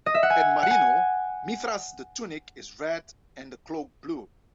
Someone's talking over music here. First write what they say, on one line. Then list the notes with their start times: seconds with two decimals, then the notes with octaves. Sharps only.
At Marino, Mithras' the tunic is red and the cloak blue.
0.06 D#5
0.14 E5
0.23 F#5
0.30 G#5
0.63 F#5
0.71 G#5